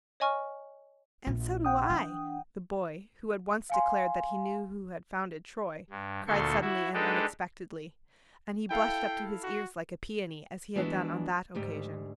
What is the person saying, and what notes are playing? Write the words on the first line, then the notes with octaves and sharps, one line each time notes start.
"And so do I!" the boy, who had once declared that he knew who had founded Troy, cried suddenly and unexpectedly, and he blushed up to his ears like a peony as he had done on that occasion.
C#5 D#5 G#5 C#6 F6
A#1
F#5 G5 D#6
E3 D4
F5 G#5 C6
G2
D2 A#2 A4 C6 C#6
E4 F#4
G#3 D4 D#4 G4 A4 B4
E4 A4 F5 G5
F#4
E3 G#3 B3 D4 E4 F#4
D2 G#2 G4